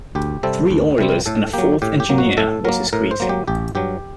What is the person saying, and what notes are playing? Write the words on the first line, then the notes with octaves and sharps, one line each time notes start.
Three oilers and a fourth engineer, was his greeting.
D2 G4
C3 G3 C4 A4
D2
C3 G3 C4
A2 A4
F#3 A#3 G4
A2 G4
G4
F#3 A#3
F#4
A2 A4
F#3 A#3 A#4
A2 A#4
C5
F#3 A#3
G4
A1 G4
G2 F#3 G4